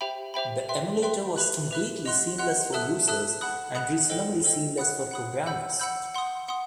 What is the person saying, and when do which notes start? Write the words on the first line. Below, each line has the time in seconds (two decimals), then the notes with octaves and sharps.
The emulator was completely seamless for users, and reasonably seamless for programmers.
0.01 G4 C5 E5 G5 B5
0.34 G4 C5 E5 G5 B5
0.69 B4 E5 G5 C6
1.02 B4 E5 G5 C6
1.36 G4 B4 E5 B5 F#6
1.71 G4 B4 E5 B5 F#6
2.05 G4 D#5 F#5 C6 F#6
2.38 G4 D#5 F#5 C6 F#6
2.73 A4 E5 A5 D#6 F#6
3.08 A4 E5 A5 D#6 F#6
3.41 F#5 B5 D#6 F#6
3.75 F#5 B5 D#6 F#6
4.10 A4 C5 D#5 G5
4.44 A4 C5 D#5 G5
4.78 F#5 B5 D#6 F#6
5.11 F#5 B5 D#6 F#6
5.46 F#5 B5 E6 G6
5.79 F#5 B5 E6 G6
6.15 F#5 C6 D#6
6.49 F#5 C6 D#6